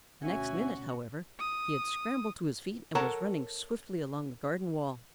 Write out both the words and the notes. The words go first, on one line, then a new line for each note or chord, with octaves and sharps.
The next minute, however, he had scrambled to his feet and was running swiftly along the garden wall.
D2 B2 C#4 F#4 E5 G#5
D#6
A4 A#4 C#5 F#5 A5 A#5